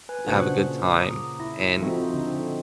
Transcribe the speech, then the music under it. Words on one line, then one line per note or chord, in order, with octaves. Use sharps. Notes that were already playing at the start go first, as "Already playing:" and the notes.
have a good time, and
B4 G#5 F#6
A#2 C#3 D4 F#4 C5 F#5
A#5 D6 D#6
E4 A#6
F3 C4 D#4 F#4 A4 E5
D3